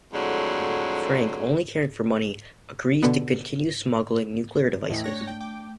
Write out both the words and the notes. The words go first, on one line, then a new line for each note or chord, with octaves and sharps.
Frank, only caring for money, agrees to continue smuggling nuclear devices.
F2 A2 D3 F#3 G#3
B2 D3 B3
E2 A2 E3 A3 E4 D#5 G5
D4 G4 C#5 A#6
G5
G5 D6